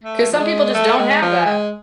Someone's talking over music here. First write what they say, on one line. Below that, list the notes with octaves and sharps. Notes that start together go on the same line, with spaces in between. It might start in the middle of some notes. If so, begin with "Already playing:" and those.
'cause some people, just, don't have that.
A3
F3
G#3
A3
G#3
F3
G#3